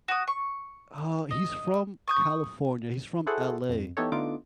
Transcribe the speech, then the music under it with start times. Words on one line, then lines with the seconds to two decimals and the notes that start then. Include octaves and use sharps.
uh, he's from California. He's from LA,
0.08 F#4 D#6
0.28 C#6
1.31 D#5
2.08 C#6 D#6 G6
3.27 E4 F#4 G#4 A4 C5 F#5
3.69 F2
3.97 E3 B3 D#4 G4 A4 C#5
4.12 D3 A3 B3 D#4 F4 D6